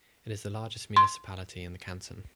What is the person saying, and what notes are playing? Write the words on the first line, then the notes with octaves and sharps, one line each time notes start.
It is the largest municipality in the canton.
C6